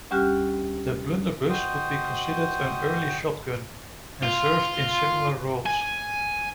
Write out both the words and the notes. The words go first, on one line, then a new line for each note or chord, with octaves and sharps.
The blunderbuss could be considered an early shotgun, and served in similar roles.
D2 G3 C#4 G4 F6 F#6
F#4 C5 D#5 G5 C6 D#6
F4
G#5